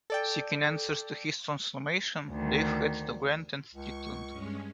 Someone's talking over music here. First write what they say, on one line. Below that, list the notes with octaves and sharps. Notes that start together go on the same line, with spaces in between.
Seeking answers to his transformation, Dave heads to Grant and Strictland.
A4 D5 G5
D2 D#3
C#2 C#6
G2 G#3 C#4